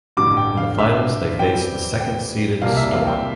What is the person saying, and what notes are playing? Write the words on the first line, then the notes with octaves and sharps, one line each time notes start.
In the finals they faced the second seeded Storm.
A1 G2 D3 G3 D6
G5
F5
E5
E2 E3 G3 C4 G5
G5
C2 C3 G3 A#3 F5
E5
F5
G5